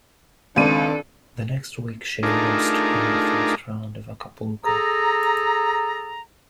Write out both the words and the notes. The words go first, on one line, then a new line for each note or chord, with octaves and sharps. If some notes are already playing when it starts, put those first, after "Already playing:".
The next week she lost in the first round of Acapulco.
C#2 D#3 C4 D4 A4 D5 D#7
A3 D4 D#4 F4 G#4 A#4
G#4 A4 A#5